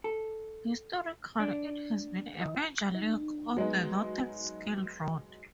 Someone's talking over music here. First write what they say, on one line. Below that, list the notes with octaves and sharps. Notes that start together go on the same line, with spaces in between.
Historically, it has been a major link on the Northern Silk Road.
A4
D4
F#3 G#3 B3 D#4